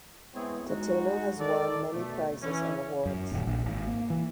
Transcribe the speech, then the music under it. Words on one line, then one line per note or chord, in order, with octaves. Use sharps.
Tateno has won many prizes and awards.
G#3 B3 C4 E4 G#4 C#5
G#3 D#4 F#4
D#3 A4 D5
B2 A3
E3 C#4
F#2
D#1
A#1
G#1
A#3
E3